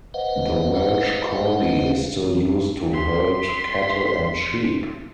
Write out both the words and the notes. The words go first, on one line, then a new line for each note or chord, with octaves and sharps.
The Welsh Corgi is still used to herd cattle and sheep.
B4 C5 D#5 F5 F#5
C6 B6